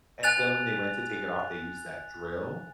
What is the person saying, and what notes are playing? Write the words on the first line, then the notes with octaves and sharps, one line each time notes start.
And then when they went to take it off, they used that drill.
G#5 F#6 A6 F7